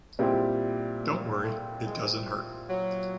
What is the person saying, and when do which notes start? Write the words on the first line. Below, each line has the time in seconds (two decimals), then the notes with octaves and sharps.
Don't worry, it doesn't hurt.
0.19 A#2 G3 G#3 C4 E4 G4
1.03 A3
1.44 A3
1.86 G#3
2.69 F#3